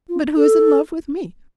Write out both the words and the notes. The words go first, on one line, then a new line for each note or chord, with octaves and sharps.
But who is in love with me?
F4
A4